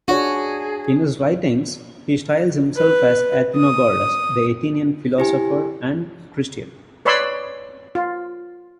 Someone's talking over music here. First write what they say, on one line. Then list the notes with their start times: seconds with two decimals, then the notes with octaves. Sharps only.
In his writings he styles himself as "Athenagoras, the Athenian, Philosopher, and Christian".
0.08 D4 F#4 G#4 C#5
2.76 B4
3.56 D#6
5.18 E4 G4 G#5
7.05 B4 C#5 D5 B5 C6 E6
7.95 F4